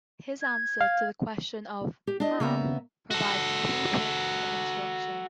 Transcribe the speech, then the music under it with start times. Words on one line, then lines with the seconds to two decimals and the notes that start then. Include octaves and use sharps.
His answer to the question of "how" provides three points of instruction.
0.42 G#6
0.81 F5
2.07 G4
2.20 D4 D#5
2.40 C#3 A#3 B3 E5 A#5
3.11 F#4 A4